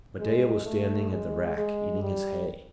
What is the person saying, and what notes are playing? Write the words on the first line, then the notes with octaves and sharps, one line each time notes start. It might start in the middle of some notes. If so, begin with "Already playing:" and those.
Medeah was standing at the rack, eating his hay.
G#3
A3
G#3
G#3
G3